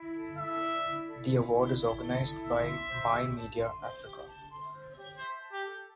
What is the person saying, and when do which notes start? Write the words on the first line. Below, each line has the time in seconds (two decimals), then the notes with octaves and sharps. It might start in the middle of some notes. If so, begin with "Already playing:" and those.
The award is organized by My Media Africa.
Already playing: E4
0.16 A4
0.38 E4 E5
0.61 D5
0.83 E4
1.07 A4
1.30 E4
1.53 D5
1.75 E4
1.98 A4
2.22 E4
2.44 E5 A5
2.66 C6
2.89 C5
3.13 G4
3.35 A5
3.58 C6
3.81 C5
4.04 G4
4.27 A5
4.50 C6
4.72 C5
4.96 G4
5.18 C5 E5
5.41 A5
5.53 G4
5.64 A4